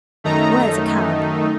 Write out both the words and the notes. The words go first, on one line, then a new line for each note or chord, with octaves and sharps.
Where's a cab?
F#2 D#3 A3 D#4 A#5